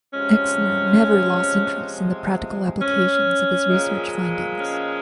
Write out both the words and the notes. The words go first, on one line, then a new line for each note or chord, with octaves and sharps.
Exner never lost interest in the practical application of his research findings.
C3 F3 G#3 C#4
C#4
A#2 F3 G#3
C#4